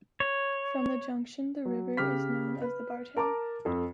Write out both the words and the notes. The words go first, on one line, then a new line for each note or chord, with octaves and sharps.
From the junction the river is known as the Bartang.
C#5
F#3
C#3 G4 F6 B6
B4
A#4 A5 A#5 D6
F2 A4